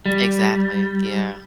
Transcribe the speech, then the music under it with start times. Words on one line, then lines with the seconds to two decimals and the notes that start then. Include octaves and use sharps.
Exactly, yeah.
0.06 G3